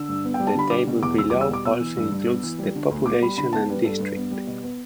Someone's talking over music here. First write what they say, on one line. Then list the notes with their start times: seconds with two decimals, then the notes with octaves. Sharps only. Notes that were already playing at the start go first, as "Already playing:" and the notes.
The table below also includes the population and district.
Already playing: D3 E6
0.09 G2
0.24 B3
0.34 G5
0.40 G3
0.47 A5
0.55 D3 B5
0.70 G3 D6
0.87 B2
1.03 E2 D6
1.18 E2 E6
1.30 G3 D6
1.41 E6
1.49 B2 D6
1.65 B3 E6
1.80 E3
1.97 G2
2.12 G2
2.28 B3
2.43 E3
2.59 G3
2.75 D3
2.91 D2
3.06 B3 D6
3.21 G3 B5
3.38 D3 B5
3.53 B3 A5
3.69 G3 B4
3.85 G2 A4
4.00 G2 B4
4.17 B3
4.31 G3
4.47 B2
4.63 B3